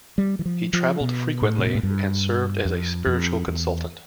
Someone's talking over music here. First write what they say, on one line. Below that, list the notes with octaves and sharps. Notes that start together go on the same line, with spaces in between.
He traveled frequently and served as a spiritual consultant.
G3
E3
F3
F3
B2
A2
C3
B2
A2
G2
F2
F2
E2